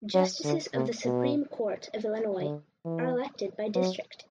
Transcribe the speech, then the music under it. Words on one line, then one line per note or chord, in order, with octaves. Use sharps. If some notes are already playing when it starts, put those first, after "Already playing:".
Justices of the Supreme Court of Illinois are elected by district.
F#3
D3
C3
B2
D3
E3
F#3